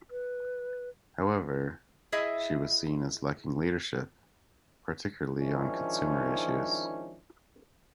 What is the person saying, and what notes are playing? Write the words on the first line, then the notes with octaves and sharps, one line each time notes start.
However, she was seen as lacking leadership, particularly on consumer issues.
B4
E4 G#4 D#5 E5
G#2 D#3 F3 C#4 D4 E4